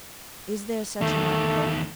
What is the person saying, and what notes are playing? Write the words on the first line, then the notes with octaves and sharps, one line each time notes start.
Is there such an article?
E2 D#3 A3